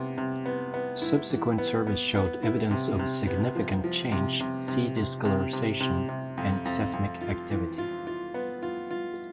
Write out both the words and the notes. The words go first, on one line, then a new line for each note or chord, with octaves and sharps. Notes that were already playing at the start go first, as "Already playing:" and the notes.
Subsequent surveys showed evidence of significant change - sea discolouration and seismic activity.
Already playing: C3 B3
C3
B3
B3
E4
E3
B3
B3
B3
E4
C3
C3
B3
F3
F3
C3
C3
C3
C3
C3
C3
C3
C3
F2
F2
F2
F4
E3
F4
F4
B3
F4
F4